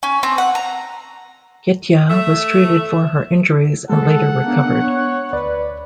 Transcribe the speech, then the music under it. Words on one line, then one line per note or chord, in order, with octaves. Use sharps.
Ghetia was treated for her injuries and later recovered.
C#4
C4
F#5
A#5
A3 E5
G#3 G#4 A4 F#5
A#3 B3 D4
C#5
D2 B4 D5